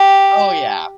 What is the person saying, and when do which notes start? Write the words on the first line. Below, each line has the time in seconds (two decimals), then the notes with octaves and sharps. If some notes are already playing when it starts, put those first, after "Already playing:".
Oh yeah,
Already playing: G4